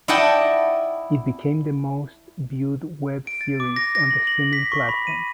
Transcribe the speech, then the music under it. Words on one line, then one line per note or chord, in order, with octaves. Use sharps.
It became the most viewed web series on the streaming platform.
E4 D5 D#5 F#5 G5 A5
D7
A6
D6
A#6
A#6
F#7
F#7
B6
C#6
B5
D#7